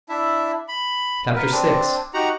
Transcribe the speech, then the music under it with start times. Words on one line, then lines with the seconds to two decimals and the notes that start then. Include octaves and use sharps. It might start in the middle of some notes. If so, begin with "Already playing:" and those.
Chapter VI.
0.09 D4 E4 E5
0.68 B5
1.36 A#4 B4
1.52 C4 D4
2.14 D#4 F#4 G4 F#5 A#5